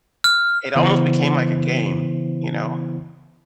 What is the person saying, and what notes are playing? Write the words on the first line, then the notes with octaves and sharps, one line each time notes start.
It almost became like a game, you know?
F6
C#3 E3 B3 E4 C5